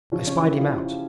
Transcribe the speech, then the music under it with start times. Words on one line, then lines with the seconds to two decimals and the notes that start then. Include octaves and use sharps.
I spied him out! ...
0.12 C#3 F3 C#4
0.27 C#4
0.42 E4
0.51 G4
0.58 F4
0.74 E4